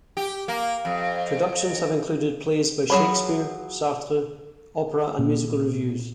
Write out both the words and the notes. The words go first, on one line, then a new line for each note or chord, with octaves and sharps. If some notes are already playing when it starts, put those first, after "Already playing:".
Productions have included plays by Shakespeare, Sartre, opera and musical reviews.
G4
A#3
F2
F3 F#3 G#4 C#5 B5
A#2